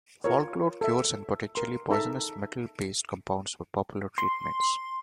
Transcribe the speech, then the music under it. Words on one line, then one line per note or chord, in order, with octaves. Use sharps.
Folklore cures and potentially poisonous metal-based compounds were popular treatments.
F4 A#4 C#5
A4 E5
A#4 C6
D#4 G#4 A4 E5 A5 A#5
D#4
C6